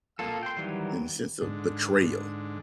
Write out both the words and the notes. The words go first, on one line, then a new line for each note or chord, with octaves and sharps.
um, in a sense of betrayal,
A#3 F4 A4
G5 C6
D#3 E3 F#3 G3
G#2 D3